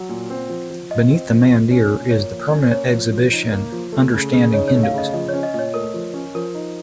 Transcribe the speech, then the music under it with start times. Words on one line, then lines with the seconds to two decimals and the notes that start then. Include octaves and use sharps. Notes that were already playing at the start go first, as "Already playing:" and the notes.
Beneath the Mandir is the permanent exhibition 'Understanding Hinduism'.
Already playing: F#3 F#5
0.09 A#2
0.30 C4
0.49 F3
0.70 F3
0.90 F4 D#5
1.10 C4
1.31 F3
1.50 F3
1.71 C#4
1.92 A#2
2.11 A#3 C#5
2.31 F3
2.51 C#4
2.62 C5
2.71 A#3 C#5
2.91 F3
3.13 F3
3.33 D#4
3.52 A#3
3.72 F3
3.92 A3
4.13 C#3
4.33 C#3
4.53 D#4 C#5
4.68 C#5
4.74 A3
4.83 F5
4.94 C#3 D#5
5.13 F3 D#5
5.29 C#4 C#5
5.43 D#5
5.54 A#2 D#5
5.59 C#5
5.74 A3 A#4
5.94 F3
6.14 C#4
6.35 F3 A#4
6.55 D#4